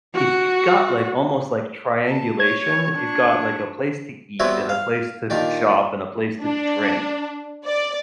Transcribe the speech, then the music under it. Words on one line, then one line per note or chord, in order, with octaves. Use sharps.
if you've got like almost, like, triangulation, if you've got, like, a place to eat, and a place to shop, and a place to drink,
F#4
A5
C#5 G#6
D4 C#6
G3 B3 C4 F#4 C#5 E5
F5
A#2 D#3 D4 G4
D4
D5